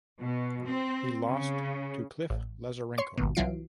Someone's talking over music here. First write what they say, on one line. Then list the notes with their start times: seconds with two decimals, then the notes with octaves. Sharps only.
He lost to Cliff Lazarenko.
0.20 B2
0.64 C4
1.26 C#3
2.30 A1
2.98 C#5 C6 C#6 C#7
3.17 G#1 D#2 B2
3.35 C2 E3 F#3 F4 C7 D7